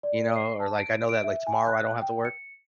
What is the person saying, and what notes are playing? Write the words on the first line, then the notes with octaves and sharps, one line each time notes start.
you know? Or, like, I know that, like, tomorrow I don't have to work,
D5
C7
A5
D7
D7
E5
G#5
F#6
G5
C#7